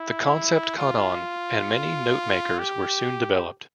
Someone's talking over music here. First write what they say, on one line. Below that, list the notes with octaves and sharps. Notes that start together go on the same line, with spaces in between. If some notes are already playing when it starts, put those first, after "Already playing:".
The concept caught on, and many notemakers were soon developed.
Already playing: E4
F4
G4